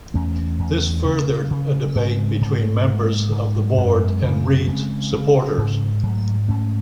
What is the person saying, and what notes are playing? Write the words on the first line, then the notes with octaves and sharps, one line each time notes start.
This furthered a debate between members of the board and Reed's supporters.
E2 A3 C#4
E2
C#3
C#3
G#2 G#3 C4
G#2
G#2
G#2
F#2 G#3 C4
C#3
C#3 G#3 C4
C#3
G#2
G#2 F#3 A3
G#2 A3 C#4